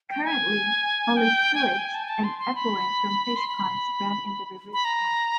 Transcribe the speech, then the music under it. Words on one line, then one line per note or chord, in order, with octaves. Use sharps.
Currently, only sewage and effluent from fish ponds run in the river's channel.
G5
G#5
G5
G#5
G5
G#5
A5
G#5
A5
C6
C6
B5
C6
B5
B5
A#5